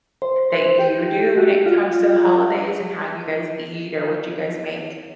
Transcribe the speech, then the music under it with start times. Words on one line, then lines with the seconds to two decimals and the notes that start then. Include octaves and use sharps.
that you do when it comes to the holidays and how you guys eat or what you guys make?
0.22 C5
0.51 C5
0.79 G4
1.08 G4
1.37 F#4
1.66 F4